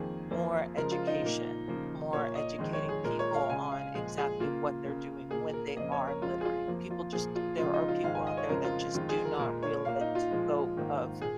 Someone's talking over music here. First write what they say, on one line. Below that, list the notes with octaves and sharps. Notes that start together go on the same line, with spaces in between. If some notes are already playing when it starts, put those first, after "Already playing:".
more education, more educating people on exactly what they're doing when they are littering, people just there are people out there that just do not realize the scope of
Already playing: F2 D#3 A#3 G#4
F2 F3 A#3
C#3 F3 G#3 A#4
F4
D#4
A#2 A#3
C#3 F3 A#3
A#2 A#3 C#5
D#5
F2 D#3 G#3
C#5
G#4
A#2 G#3 A#4
C#5
F5
C#3 G#3 G#5
F5
A#2 F3 G#3 G#4
G#4
C#3 A#3 F4
C#3 A#3
A#2 A#3 G#4
A#4
F2 C#3 A#3 D#5
C#5
A#4
F2 F3 G#3 F4
G#4
F4
F2 F3 A#3
F4
A#2 F3 A#3 G#4
F4
C#3 F3 G#3 F4
D#4
F4
G#2 D#3 G#3 F5
G#5
D#5
C#5
F2 C#3 F3 G#3 A#4
F4
F2 D#3 G#3 F4
G#4
A#4
A#2 G#3 A#4
C#5
A#2 A#3 F5
D#4
F4
A#2 F3 G#3
G#2 D#3 A#3
A#2 G#4